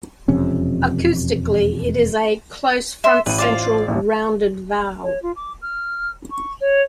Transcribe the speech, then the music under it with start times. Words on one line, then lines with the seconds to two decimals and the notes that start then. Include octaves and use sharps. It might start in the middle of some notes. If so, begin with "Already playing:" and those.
Acoustically it is a "close front-central rounded vowel".
0.28 E1 F2 C3 C#4
3.04 E5 C6
3.26 A1 B4 D#7
3.38 F4 C5 D5
3.88 A1 D#2
5.03 C#5
5.22 F4
5.36 D6
5.62 F6
6.31 C#6
6.60 C#5